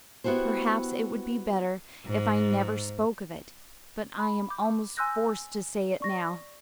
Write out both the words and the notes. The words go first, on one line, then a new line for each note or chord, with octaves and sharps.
Perhaps it would be better if I never spoke of it; but I am almost forced to say it now.
B3 E4 F#4 G4 C5
G#2
B5
D6 G6
G#5 C6 E6 F#6 G6 A#6
D5 C#6 A#6